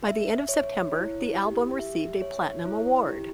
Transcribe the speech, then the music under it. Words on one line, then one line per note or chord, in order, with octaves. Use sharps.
By the end of September, the album received a Platinum award.
E5
C#5
E4
G4
E5
C#5
E4
G4